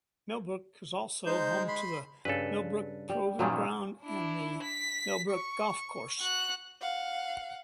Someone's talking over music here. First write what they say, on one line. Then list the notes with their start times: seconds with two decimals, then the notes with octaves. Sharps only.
Millbrook is also home to the Millbrook Proving Ground and The Millbrook Golf Club.
1.26 G#3 D#4 C5 G6
1.68 B5 C6
2.25 G2 C#3 A4 B4
3.09 G3
3.39 G2 A#2 D#3 F#3 A3 C#4
4.02 D4 E4
4.62 B6
5.31 C#6
6.20 F#4 F#6
6.81 F5 F#5